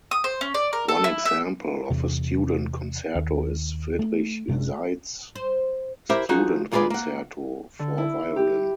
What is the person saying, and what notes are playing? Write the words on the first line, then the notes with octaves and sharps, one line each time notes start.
One example of a student concerto is Friedrich Seitz's "Student Concerto" for violin.
D#6
C5
C#4
D5
A#4
A4
E4
E5
E2 C3
D#2
A3
F#1 C3 G#3 D4
C5
E4 G4 A#4 C5 E5
F3 D#4 F#4 G#4
D#2 G#3 F4 G#4 B4 D5
A#3 F#5
D3
E4
G4